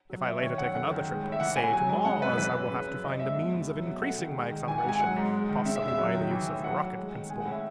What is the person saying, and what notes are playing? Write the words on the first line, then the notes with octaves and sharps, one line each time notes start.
If I later take another trip, say to Mars, I will have to find a means of increasing my acceleration, possibly by the use of the rocket principle.
F#3
A2 E5
D#3 C#5
F#2 F#5
A3 F#5
D#3
G#3
A2
E5
E3 F#5
A2 G#5
F#3 G#5
G#2 G#5
C#3 F#5
F#2 B4
E3 B4
A2
C#3
F#2
E3 D#5
G#2 E5
B2
E2
F#3
B2
A3 F#5
D#3
G#3
D#3
E3 G#5
F#5
G#2
G#5
F#3 F#5
G#2
G#3
D#3
C#3 E5
E5
E2
E5
F#3
D#3
E3
A2
F#3 F#5
A2
G#3
D#3
G#3 G#5
F#5
A2
E5